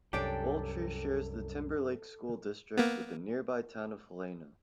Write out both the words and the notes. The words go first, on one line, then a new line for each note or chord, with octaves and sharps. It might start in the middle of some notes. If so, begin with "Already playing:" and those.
Goltry shares the Timberlake school district with the nearby town of Helena.
C2 F#2 D4 G4 A4 D5 G5
A#3 B3